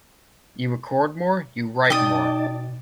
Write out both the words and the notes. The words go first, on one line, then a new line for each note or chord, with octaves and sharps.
You record more, you write more.
B2 D#4 D5 G5 A5 D#6